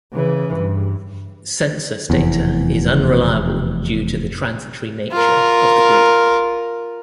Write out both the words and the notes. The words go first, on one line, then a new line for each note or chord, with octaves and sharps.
Census data is unreliable due to the transitory nature of the group.
C#3 E3
G2
F1 E2
F4 A#4